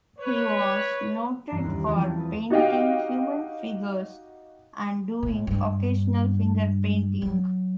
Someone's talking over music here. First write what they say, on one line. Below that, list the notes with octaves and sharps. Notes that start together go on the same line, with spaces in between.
He was noted for painting human figures and doing occasional finger painting.
B4 C#5
G2 E3 C#4 D4 A#5 C7
D#2 G3 D#5 F#6
E2 E3 F3 G3 C4 E4
A5
B4 A5 D#6
D#4 F#4 G4 D#5 F5 G5
A2
G2
F#3